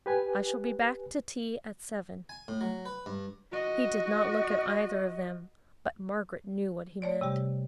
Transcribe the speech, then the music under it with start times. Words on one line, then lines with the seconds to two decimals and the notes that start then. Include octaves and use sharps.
I shall be back to tea at seven.' He did not look at either of them, but Margaret knew what he meant.
0.06 G4 B4 G#5
2.29 G#5
2.48 A2
2.61 F#3
2.86 B4
3.06 G2
3.52 F#4 D#5
7.02 A3 C#5 D5
7.21 C3 G3 G4